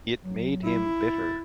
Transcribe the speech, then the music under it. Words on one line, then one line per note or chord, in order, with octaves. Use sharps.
It made him bitter.
F#3
E4
A6